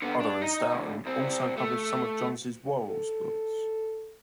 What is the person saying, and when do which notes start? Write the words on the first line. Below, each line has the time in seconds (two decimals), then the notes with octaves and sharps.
Hodder and Stoughton also published some of Johns' Worrals books.
0.02 D3 B3
0.20 D4
0.41 D#4 D#5
0.72 D2 A2
1.06 C2 C4
1.57 A3
2.88 A4